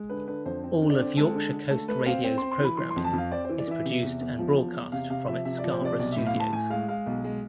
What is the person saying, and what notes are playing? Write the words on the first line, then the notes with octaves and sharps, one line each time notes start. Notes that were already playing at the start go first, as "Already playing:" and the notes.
All of Yorkshire Coast Radio's programming is produced and broadcast from its Scarborough studios.
Already playing: G#3
D3 B4
D3 B4
F2 C5
C4
D3
D5
C4
G#3 A4
D3
D3
A3 A4
A3 B4
C4 F5
C4
C4 C6
C6
E3 B5
E3 C6
C6
F2
A5
F2 F5
C4 D5
C5
E3
D5
E3 E5
C3
E2
E2
F3
E2
E2
C3 F5
C3 F5
F3 E5
C3 E5
D5
F3
C5
C3 D5
B1 D5
A2 E5
F5
A2 A5
A2 G#5
G#3 F5
G#3 F5
B1
G#3